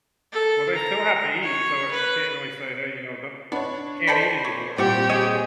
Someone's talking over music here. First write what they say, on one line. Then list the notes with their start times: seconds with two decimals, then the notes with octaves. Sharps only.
well, they still have to eat, so you can't really say, "Hey, you know, don't you you can't eat anymore."
0.32 A4
0.75 A#5
1.43 C#5
1.91 B4
3.52 B3 D4 C#5
4.07 A4 C5 D5 G5 B5
4.45 C#5
4.78 A#2 G3 C4 G4 D5 F#5 C#6
5.10 G#4 C#5 D#5 G5